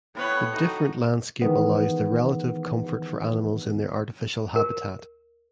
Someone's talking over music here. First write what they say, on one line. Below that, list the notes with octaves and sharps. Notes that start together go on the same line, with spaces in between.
The different landscape allows the relative comfort for animals in their artificial habitat.
A2 B3 E4 B4 C#5
D#4 F#4
D#3 E3 G#3 B3
A#4